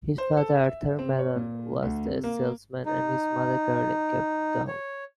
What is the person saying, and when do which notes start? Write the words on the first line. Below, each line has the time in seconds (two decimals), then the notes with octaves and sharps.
His father, Arthur Mallon, was a salesman and his mother, Caroline, kept the home.
0.18 C5
0.37 A4
0.56 E5
0.99 C4
1.19 C#5
1.36 A#2
1.82 D2
2.05 C3
2.24 A#3
2.86 D#4
4.68 C#5